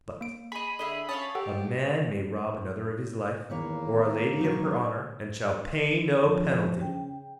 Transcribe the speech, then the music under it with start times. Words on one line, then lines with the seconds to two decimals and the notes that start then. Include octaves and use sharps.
But a man may rob another of his life, or a lady of her honor, and shall pay no penalty!
0.21 A#3 D7
0.52 G#4 D#5 B5
0.79 D3 E4 G#4 D#5
1.09 C#4 F4 C#5 A5 D#6
1.35 G4 A4 F#5
3.50 E2 D#3 A#3 B4 C#5
3.92 B3
4.41 F#3 D#4 C#5
6.23 F2 F3
6.81 C#3 G5